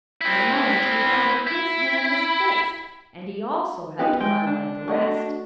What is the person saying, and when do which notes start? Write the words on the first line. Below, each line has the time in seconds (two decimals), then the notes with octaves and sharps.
In a moment he found that his hand was fixed, and he also had to run like the rest.
0.21 C4 E4
1.47 E4
3.99 B3 D#4 F4 G4
4.20 G#3 G5
4.47 D4
4.88 A3 F#4 D#5